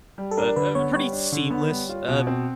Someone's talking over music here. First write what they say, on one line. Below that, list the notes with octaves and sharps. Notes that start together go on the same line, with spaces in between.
But, um, pretty seamless, um,
G3
A4
D4 A#4
D3 B4
B3 C#5
G3 C#5
D4
D3
B3
G3
F4
B2
C4